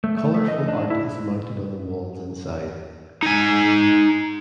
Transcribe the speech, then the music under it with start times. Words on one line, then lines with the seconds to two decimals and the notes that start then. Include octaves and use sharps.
Colourful art is mounted on the walls inside.
0.04 A3
0.17 A3
0.34 A3
0.48 D#5
0.68 D4
0.90 E4
3.23 D#4 G#5